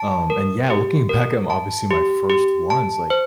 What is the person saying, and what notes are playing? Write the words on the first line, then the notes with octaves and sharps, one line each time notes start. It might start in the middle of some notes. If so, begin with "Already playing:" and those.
Um, and, yeah, looking back, I'm obviously my first ones, like,
Already playing: A5
A#4
G4
A#4
A5
G4
G4
A5
C5